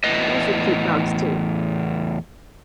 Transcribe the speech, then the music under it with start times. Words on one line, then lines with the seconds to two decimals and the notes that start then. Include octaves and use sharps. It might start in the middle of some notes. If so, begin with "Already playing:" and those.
those are cute dogs too.
0.04 E2 A2 G#3 B4 D#5